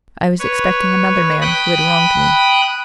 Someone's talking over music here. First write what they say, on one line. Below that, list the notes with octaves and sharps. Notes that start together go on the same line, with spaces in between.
I was expecting another man who had wronged me.
B4 C#5
G5 B5 D#6 F#6